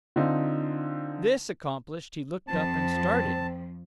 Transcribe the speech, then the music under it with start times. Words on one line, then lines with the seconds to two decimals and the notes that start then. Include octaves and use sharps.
This accomplished, he looked up and started.
0.16 D3 C4 D#4 F4
2.48 F2 F3 C4 A5